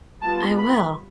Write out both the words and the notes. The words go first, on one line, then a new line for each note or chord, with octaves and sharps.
I will.
G3 B3 F4 A5
B5